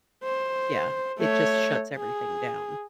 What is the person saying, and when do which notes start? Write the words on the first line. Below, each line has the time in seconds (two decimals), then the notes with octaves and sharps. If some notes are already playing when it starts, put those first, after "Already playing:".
yeah. It just shuts everything down.
0.24 C5
1.19 A3 C#5
1.97 G#4